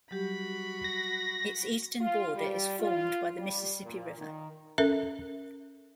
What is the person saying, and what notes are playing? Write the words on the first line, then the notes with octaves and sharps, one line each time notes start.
Its eastern border is formed by the Mississippi River.
F#3 G3 F#4 G4 B5
A#6
F4
G3
F4
G3
A#2
D#3
C#4 A4 A#4 E5